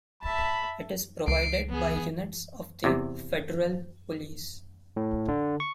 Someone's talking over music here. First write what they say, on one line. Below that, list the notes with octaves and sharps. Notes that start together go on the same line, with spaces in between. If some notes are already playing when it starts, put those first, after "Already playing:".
It is provided by units of the Federal Police.
E5 A5 B5
C#2 C7 D7
B3 G#4
E2 C3
A2
D3
C#6